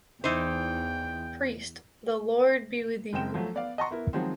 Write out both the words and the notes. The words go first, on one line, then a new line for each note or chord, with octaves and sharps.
Priest: The Lord be with you.
E2 E3 D#4 C5 G5
F#1 G#3 C4 G5 E7
F3 F#3 A3
B3 D5 F5
D#5 F#5 A5 A#5 C6 C#6
B3 E4 A#4
D#3 F3 F#3 G#3 C4